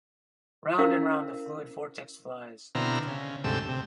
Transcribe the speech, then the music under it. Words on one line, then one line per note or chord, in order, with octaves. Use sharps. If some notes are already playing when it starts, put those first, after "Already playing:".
Round and round the fluid vortex flies.
C#4 E4 A#4 C5 F5
B2 D3 C4 E4 A#5 F6
C#3
D2 G#2 C3 A3 G4 E6
C3